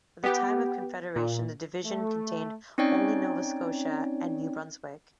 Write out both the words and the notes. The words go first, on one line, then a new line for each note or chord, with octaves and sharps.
At the time of confederation the division contained only Nova Scotia and New Brunswick.
B3 G4
A#2
A3
C4 C#4 D#4 C#5 D5 G5